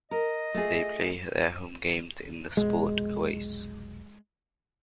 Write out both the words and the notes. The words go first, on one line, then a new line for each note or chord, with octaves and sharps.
They play their home games in the SportOase.
A#4 D#5
A3 F4 G#4
F1 B1 G#3